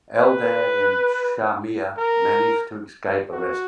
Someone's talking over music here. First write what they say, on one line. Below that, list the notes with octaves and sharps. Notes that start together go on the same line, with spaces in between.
Eldad and Shamir managed to escape arrest.
B4
A#4
F#4